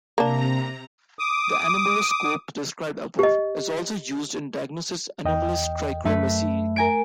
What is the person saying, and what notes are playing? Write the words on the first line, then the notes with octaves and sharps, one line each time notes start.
The anomaloscope, described above, is also used in diagnosing anomalous trichromacy.
C3 A#3 D4 A#5
D6 D#6
G4 D#5
E2 D#5 G5
F#2 A3 B4 E5
A#4 G#5 D7